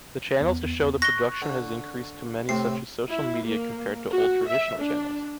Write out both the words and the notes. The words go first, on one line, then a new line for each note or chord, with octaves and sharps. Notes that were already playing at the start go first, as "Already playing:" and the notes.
The channels to show the production has increased to many such as social media compared to old traditional channels.
E2 B3
C#6 F#6 A#6 G7
D3
A2 C3 C4 C7
E4
A#3
F#4
E5
D4